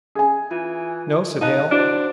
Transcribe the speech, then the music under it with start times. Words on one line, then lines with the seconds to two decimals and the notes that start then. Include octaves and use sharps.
"No," said Hale.
0.15 G#4 G#5
0.51 E3 F4
1.41 D#4 F5 A5 F#6
1.71 D4 E4 F#4 C5